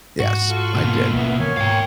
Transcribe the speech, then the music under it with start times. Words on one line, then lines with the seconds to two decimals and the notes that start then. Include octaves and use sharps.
yes, I did.
0.20 G#2 F#4
0.49 F4 A4
0.74 B2 A#3
1.14 A1 B3 E5
1.40 D#3 E3 A#3 C#5 G#5
1.57 G#2 B2 F5 G5